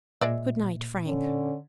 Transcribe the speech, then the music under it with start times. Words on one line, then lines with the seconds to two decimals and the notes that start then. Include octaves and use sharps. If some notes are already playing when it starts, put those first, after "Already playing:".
"Good night, Frank."
0.21 A#2 G#3 D5 E5
1.06 D3 C#4